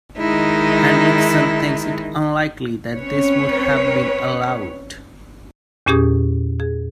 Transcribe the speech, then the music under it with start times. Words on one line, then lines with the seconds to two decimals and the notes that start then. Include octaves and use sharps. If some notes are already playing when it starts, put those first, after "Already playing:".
Hendriksen thinks it unlikely that this would have been allowed.
0.17 D#3 G#3 D#4 E4
2.97 C4 C#4 B4 C#5
5.86 E2 A#2 C#4 G4 G#4 D#6
6.60 G#4